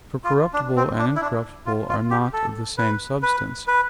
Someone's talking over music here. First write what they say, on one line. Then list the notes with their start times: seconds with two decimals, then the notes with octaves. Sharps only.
For corruptible and incorruptible are not of the same substance.
0.24 F4
0.53 D4
0.76 C4
0.99 D4
1.16 E4
1.21 D4
1.66 F4
1.89 F4
2.10 G4
2.33 A4
2.78 B4
3.23 B4
3.68 B4